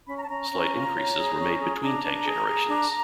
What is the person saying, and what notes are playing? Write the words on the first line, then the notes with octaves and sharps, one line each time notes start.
Slight increases were made between tank generations.
C#4 B5
A#5
A5
C#4 A#5
C#4
F4
C#5
G#4
C#4
G#4
D4 A#5
D4
G#4
G#4
D4